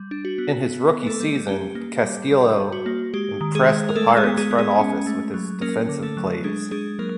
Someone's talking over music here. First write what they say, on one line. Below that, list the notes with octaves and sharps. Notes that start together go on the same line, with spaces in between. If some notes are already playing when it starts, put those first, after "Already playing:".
In his rookie season, Castillo impressed the Pirates front office with his defensive plays.
Already playing: G3
D4
F#4
B3
B3
B3
A3 A4
G3
C#4 G4
A#3
G3
G3
G3
F#4
A#3
G#3 G4
D#3
G#3 G#4
G#3
A#4
G#3 A3 A4
G#3 G#4
B3
G#3 G#4
B3
G#3 G#4
C#4
A3
F#3
A#3 C#4 A#4
D3
A3 A4
F#3
G#3 D4 G#4
G#3 D4 G#4
F#3 A#3 A#4